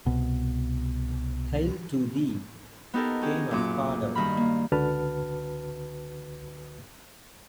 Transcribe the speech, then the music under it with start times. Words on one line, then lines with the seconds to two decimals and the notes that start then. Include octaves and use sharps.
Hail to thee, Thane of Cawdor!
0.06 C2 B2
2.94 B3 D#4 G4 A4 A#4
3.21 C#4 G4 G#4
3.51 F#2 A#2 D6
4.15 G2 D#3 A#4 B5
4.37 A#3
4.72 C#2 D3 F#4 B4 A5 F6